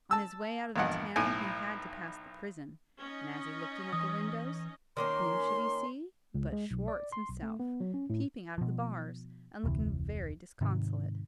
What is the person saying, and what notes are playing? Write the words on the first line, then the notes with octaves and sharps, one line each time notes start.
On his way out of the town he had to pass the prison, and as he looked in at the windows, whom should he see but Schwartz himself peeping out of the bars, and looking very disconsolate.
A5 E6
A#1 E2 G2 D#5 F#5
B1 A2 G#5
C#4 D#4 D#5
E3 D#6
D#3 A#3 C#4 C6
C#2
G#3
B1
D5
C6
B1
A3
B3
F#3
C#4
A2
B2 F3
F1 D2 C3 E3
G#2 C3 D#3